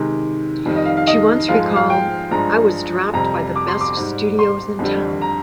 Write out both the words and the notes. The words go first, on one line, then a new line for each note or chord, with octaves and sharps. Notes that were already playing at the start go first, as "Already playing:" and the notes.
She once recalled, I was dropped by the best studios in town.
Already playing: C3 D#3 G#3
F2 D#3 G3
D#5
F5
F5
D#5
G#2 F3 G#3 F5
F5
G5
G2 F3 G#3 A#5
F2 C3 G3 A#5
D6
C6
D6
G#2 G3
C6
F2 D3 G3
A#5